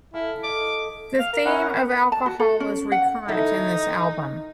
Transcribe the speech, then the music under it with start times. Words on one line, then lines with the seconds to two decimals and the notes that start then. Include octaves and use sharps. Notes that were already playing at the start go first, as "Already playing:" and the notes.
The theme of alcohol is recurrent in this album.
0.13 E4 G#4 A4 F5
0.43 A4 D#5 D6
1.20 F5
1.33 A#4
1.45 C#4 E4 F#5
2.12 A5
2.26 F#4
2.40 A4
2.60 C#4
2.92 F#5
3.28 D#3 D#4 E4 A4